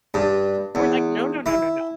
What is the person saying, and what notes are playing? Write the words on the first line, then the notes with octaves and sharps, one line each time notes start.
We were like, "No, no, no, no, no."
G2
E2
E4